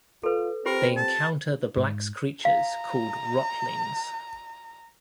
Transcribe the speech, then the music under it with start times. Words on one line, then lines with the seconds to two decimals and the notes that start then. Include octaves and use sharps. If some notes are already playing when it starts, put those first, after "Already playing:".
They encounter the Black's creatures called Rotlings.
0.23 F4 A4 B4
0.66 C4 F4 G4 A#4 C5
0.97 A5
1.77 G#2
2.45 F5 A#5